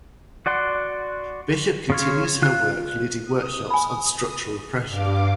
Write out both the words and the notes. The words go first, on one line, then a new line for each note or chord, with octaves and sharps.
Bishop continues her work leading workshops on structural oppression.
F#4 D5 F#5 C6
C#3 F4 C#5
F4 F#6
D#6
G#5 B5
G2 F5 D6